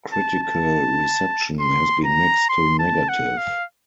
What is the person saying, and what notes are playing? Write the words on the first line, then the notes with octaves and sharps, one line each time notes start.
Critical reception has been mixed to negative.
A5
A5
C6
A#5
C6
A5
F#5
F5